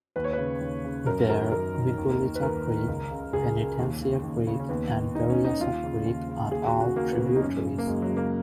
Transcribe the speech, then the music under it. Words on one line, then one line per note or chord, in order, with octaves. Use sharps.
There, Miguelita Creek, Penitencia Creek, and Berryessa Creek are all tributaries.
D#2 B4
C#5
C#3 B4
D#2
C#3
F#2 A#4
D#3 A#4
F#2 A#4
D#3
D#2
D#3
B4
D#2 A#4
D#3
C#2
C#3
C#2 G#4
C#3
D#2
C#3
D#2
C#3
C#4
D#2 B3
D#3
D#2 D#4
C#4
D#3
D#4
D#2 F4
C#3
D#2
C#3
D#2 G#4
F#4
C#3
F#4
D#2 A#3
B3
C#3
B3
D#4
F#2 C#4
C#3
A#3
F#2 G#3
F#3
C#3
A#3